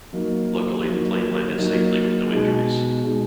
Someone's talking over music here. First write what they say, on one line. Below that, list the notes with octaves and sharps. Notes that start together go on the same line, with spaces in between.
Luckily, the plane landed safely with no injuries.
F#3 A#3 D#4
F#3 A#3 D#4
F#3 A#3 D#4
B2 G#3 D#4
B2 G#3 D#4